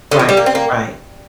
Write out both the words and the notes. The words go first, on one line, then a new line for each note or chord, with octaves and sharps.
Right, right.
D3
F3
G3
A#3
C4
A#3